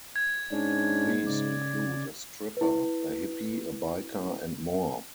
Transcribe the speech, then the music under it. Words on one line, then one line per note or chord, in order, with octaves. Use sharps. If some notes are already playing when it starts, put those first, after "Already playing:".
These include a stripper, a hippie, a biker, and more.
G#6
G#2 C#4 D4
C#3 D5
E4 B4